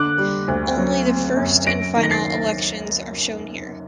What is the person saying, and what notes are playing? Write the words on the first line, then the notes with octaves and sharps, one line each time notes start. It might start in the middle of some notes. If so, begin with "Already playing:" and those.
Only the first and final elections are shown here.
Already playing: D3 D6 F#6
G3
D2
F#3
C4
F#2
F#2 A#6 D7
D#3
A#6
A6 C7